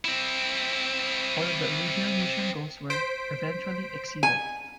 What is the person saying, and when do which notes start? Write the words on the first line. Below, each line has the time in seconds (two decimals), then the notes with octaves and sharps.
All of the original mission goals were, eventually, exceeded.
0.05 C4 E4
2.90 C5 B6 D7
4.23 G#5